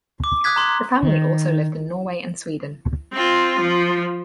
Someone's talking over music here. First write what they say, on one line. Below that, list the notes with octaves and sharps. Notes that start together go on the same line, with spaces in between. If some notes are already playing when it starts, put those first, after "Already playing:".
The family also lived in Norway and Sweden.
D6
D#6 F#6 G#6 B6
A#5 C6
D#3
C4 F4
F3